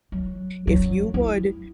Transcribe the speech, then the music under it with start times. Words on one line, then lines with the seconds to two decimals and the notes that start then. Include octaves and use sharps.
If you would,
0.12 F#3
0.67 F#2 F#3
1.14 E4